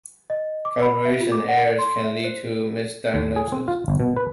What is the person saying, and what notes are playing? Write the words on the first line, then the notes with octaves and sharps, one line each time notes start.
Calibration errors can lead to misdiagnosis.
D#5
D6
B5
E5
F4
D6
F#5
D5
C6
E5
C5
D#2
G#4
C4
F4
G1
B2
B4